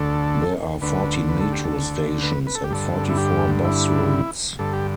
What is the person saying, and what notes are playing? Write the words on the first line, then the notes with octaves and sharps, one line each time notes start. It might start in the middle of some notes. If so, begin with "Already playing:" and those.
There are fourteen Metro stations and forty four bus routes.
Already playing: D2 D3 A4
D2 D3 B4
B4
A4
G4
A4
B4
B4
A4
G4
G2 D3 A4
E4
G4
E4
G2 D3 A4
G4